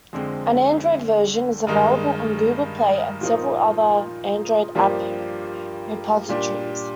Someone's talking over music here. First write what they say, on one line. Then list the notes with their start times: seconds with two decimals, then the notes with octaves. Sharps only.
An Android version is available on Google Play and several other Android app repositories.
0.13 F2 D3 G#3 C4
1.67 G2 D#3 G#3 D#4
3.21 A#2 F3 A#3 D#4
4.75 G2 F3 A#3 D4 G4
6.29 A#2 G3 D4 G4